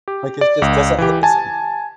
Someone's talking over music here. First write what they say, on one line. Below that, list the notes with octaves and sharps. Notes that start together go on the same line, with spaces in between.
Like, it just doesn't hit the same.
G4
D5
C#2
E3 G4
G#5 A5